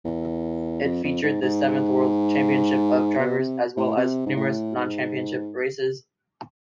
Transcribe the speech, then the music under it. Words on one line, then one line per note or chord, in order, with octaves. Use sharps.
It featured the seventh World Championship of Drivers as well as numerous non-championship races.
E2
F2
F2
G#2
G#2
B2
C3
A2
C3
G#2
A2
G#2